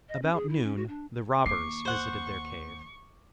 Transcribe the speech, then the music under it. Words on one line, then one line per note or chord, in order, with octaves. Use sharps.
About noon the robbers visited their cave.
D#5
C#4
G#4
E4
C#4
F#4
D4
D#2 A#3 C#6 D6 C7
C5 F#5